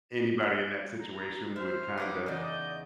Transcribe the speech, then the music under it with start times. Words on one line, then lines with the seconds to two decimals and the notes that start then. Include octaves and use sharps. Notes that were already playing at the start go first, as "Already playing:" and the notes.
anybody in that situation would kinda
1.01 A#5
1.56 C5 E5 F6
1.98 D#4 F#4 B4 D5 D6
2.26 E2 C#3 D5 D#5 G6